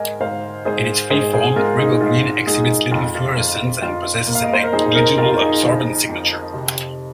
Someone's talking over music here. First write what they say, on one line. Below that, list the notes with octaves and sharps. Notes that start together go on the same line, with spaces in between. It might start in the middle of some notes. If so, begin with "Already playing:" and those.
In its free form, RiboGreen exhibits little fluorescence and possesses a negligible absorbance signature.
Already playing: G#2 G#3 A#4 D#5 G#5
G#2 C5 F5
G#2 G#4 C5
G#2 G#4 C5
G#4 C5
G#3 F4 A#4
D#4 G#4
G#2 F4
G#3 D#4 G#4
F2 F4
F4
F2 F4
F2 F4
A#3
F5
D#5
C5
A#4
F2 D#4 G#4
A#4 D#5
F2 F4 A#4
F4
D#4 G#4
F3
F2
C3